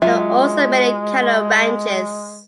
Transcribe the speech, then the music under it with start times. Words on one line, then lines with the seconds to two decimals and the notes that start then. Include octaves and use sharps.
There are also many cattle ranches.
0.02 F#3 G#3 F4 E5